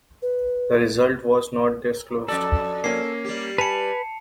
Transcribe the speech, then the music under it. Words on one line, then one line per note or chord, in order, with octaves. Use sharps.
The result was not disclosed.
B4
F2 F#4 A4 D5
A#3 C#4 C7
G3 G4
B4 G#5 A5 B5 C#7 F7